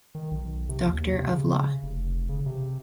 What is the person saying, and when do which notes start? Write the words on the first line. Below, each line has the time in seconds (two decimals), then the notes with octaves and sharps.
Doctor of Law.
0.15 D#3
0.31 B1
0.69 C3
0.87 D#2
1.12 C3
1.33 C#3
1.83 F1
2.29 C#3
2.46 C3